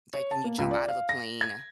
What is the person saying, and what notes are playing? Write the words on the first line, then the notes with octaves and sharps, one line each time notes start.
like, when you jump out of a plane
C#5
A5
A#3
C#2
D5
F5
A#6
G#6